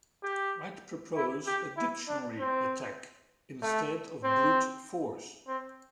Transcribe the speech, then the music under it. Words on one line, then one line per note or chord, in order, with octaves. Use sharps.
I'd propose a dictionary attack instead of brute force.
G4
E4
G4
E4
D4
C4
A3
C4
C4